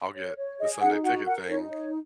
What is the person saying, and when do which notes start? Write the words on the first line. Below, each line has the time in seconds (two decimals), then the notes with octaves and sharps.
I'll get the Sunday ticket thing,
0.15 C#5
0.37 C#5
0.59 G#4 D#5
0.81 D#4 F#5
1.03 F#4 F#5
1.26 A#4 F#5
1.48 D#4 C#5
1.71 C#5